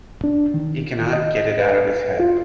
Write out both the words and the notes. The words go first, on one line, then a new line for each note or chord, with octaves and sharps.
He cannot get it out of his head.
D4
D#3
D#5
B4
F4